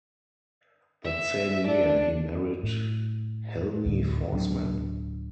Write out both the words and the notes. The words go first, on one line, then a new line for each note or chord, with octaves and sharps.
That same year he married Helmi Forsman.
E5
D4
A2
D2 A2 D3
D1 F#3 D4